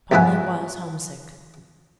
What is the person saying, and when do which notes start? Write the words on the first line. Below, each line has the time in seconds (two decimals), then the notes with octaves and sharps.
Polly was homesick.
0.11 D#2 G#2 F3 E4 F#5 G#5